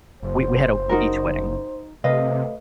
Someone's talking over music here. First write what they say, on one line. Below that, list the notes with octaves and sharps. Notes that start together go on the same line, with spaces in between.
we we had a beach wedding
F#1 C5
D#4 F#4 A#4
C3 A3 B4 D#5 F5